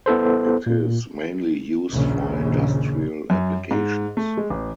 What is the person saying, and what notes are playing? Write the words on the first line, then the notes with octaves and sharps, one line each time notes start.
It is mainly used for industrial applications.
B3 E4 A4 C5
A#2
A#1 D#2 C#3
F#2
G#2
A3
G#3
A1